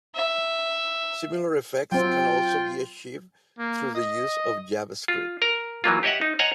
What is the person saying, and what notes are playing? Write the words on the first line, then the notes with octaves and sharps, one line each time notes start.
Similar effects can also be achieved through the use of JavaScript.
E5
F#3 C4 F4 G5
A#3
D#5
F4
A#4 A#5
E3 F#3 A#3 F4
G4 C#5 D#5 E5 F#5
D#4
C#5 D#5 F#5 G#5 A#5